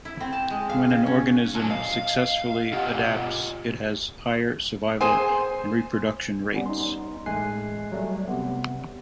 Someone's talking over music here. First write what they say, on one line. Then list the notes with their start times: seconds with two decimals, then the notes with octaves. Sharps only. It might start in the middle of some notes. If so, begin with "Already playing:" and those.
When an organism successfully adapts, it has higher survival and reproduction rates.
0.05 E4
0.20 C4
0.33 A5
0.50 G#3
0.69 F5
0.90 C#3
1.06 C#4
1.55 A#2 F#3 G#5 A5
1.71 D#5 F5
2.72 B2 F4 G4 D#5 F#5
5.01 G#4 C5 G#5
6.54 G3 B3 C#4
6.66 D#4 C6
7.26 A1 G#3 A3 G#5 F#6 C7
7.92 F#3 G3 A3
8.28 C3 B3